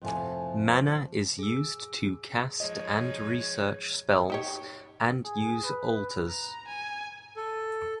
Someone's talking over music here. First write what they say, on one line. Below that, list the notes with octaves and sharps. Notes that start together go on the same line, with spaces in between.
Mana is used to cast and research spells and use altars.
F2 A2 C3 F3 A4 G#5
G#4 E6
F3 G#3 D#4 C#5 D#5
D#4 G4 C#5
G#4
B4
A#5
G#5
A4